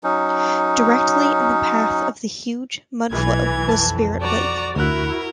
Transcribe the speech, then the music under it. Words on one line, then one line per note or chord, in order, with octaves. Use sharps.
Directly in the path of the huge mudflow was Spirit Lake.
F#3 C#4 D#4
B1 E3 G#6
F2 A5
F#4 D5 A#5
D2 E4 F#4 A#4 F#6